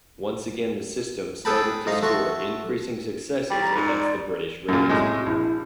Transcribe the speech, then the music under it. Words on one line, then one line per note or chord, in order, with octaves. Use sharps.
Once again the system started to score increasing successes against the British raids.
G#4 A4 B4 G5 A5 B5
G#2 D#4 F5
A3 F#4 C6 C#6
G3 G5
A#5
G#2
D5
F#2 A#2 F#4
A2 C3 G#3
A#1 E4